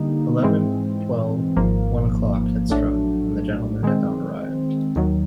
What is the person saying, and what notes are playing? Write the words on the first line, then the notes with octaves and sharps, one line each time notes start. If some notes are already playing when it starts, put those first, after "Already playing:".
Eleven — twelve — one o’clock had struck, and the gentlemen had not arrived.
Already playing: D3 G3 A#3 D#4
G#2 E3 G#3 C4
G#1 G#2 F3 A#3
A#1 A2 F#3 A3 D4
D#3 G#3 C4
D#2 D#3 F#3